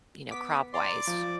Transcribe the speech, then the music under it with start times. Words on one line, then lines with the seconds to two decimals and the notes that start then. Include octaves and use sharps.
you know, crop-wise.
0.31 B3 D6 B6
0.74 D5 A#5 C6 D6
1.07 F3